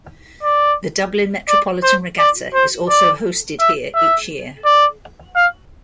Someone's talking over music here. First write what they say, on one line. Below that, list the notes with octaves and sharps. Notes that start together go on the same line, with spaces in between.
The Dublin Metropolitan Regatta is also hosted here each year.
D5
D5
C5
D5
C5
D5
E5
E5
D5
F5